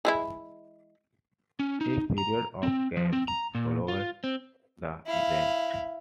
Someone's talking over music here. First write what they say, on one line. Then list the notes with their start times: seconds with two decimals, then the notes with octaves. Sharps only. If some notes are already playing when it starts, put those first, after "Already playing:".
A period of calm followed the event.
0.05 E3 G#3 E4
1.59 C#4
1.81 D#4
2.18 A#5
2.63 C4
2.97 F3
3.13 C4
3.28 A#5
3.55 A#2
3.88 F4
4.24 C4
5.07 E4 F5